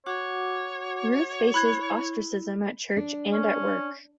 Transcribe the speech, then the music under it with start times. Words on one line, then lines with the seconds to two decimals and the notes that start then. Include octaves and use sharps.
Ruth faces ostracism at church and at work.
0.06 F#4 C#5 F#5 D6
1.54 E4 B5 F#6 G#6
2.97 D4
3.33 C#4